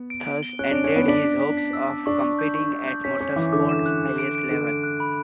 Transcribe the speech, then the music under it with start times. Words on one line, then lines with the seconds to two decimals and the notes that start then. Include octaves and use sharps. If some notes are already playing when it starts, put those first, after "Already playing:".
Thus ended his hopes of competing at motor sport's highest level.
Already playing: B3
0.10 D7
0.26 D7
0.43 G7
0.59 C#4 F#6
0.71 D4 D7
0.84 C#4
0.92 B3 D7
1.08 D4 B6
1.24 A5
1.41 B6
1.57 B6
1.73 E6
1.90 A5
2.06 D4 C#6
2.22 C#6
2.39 G6
2.55 C#6
2.72 C#6
2.88 G6
3.04 C#4 B6
3.20 C#4 D6
3.36 E3 D6
3.53 D3 D6
3.69 E7
3.86 F#6
4.02 F#6
4.18 D7
4.35 D7
4.51 D3 F#6
4.67 D7
4.84 F#6
5.00 B5